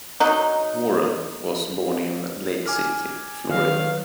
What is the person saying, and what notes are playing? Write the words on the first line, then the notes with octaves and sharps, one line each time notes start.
Warren was born in Lake City, Florida.
F#3 D#4
G#5 D6 F6
D#3 F#3 B4 F5